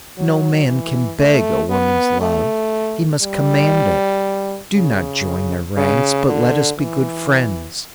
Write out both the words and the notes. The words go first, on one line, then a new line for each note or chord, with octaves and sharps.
No man can beg a woman's love; he must command it; do not join their ranks, but let us be good friends.
F#3
E3
A3
B3
A3
G3
C#3
C#3
D3
E3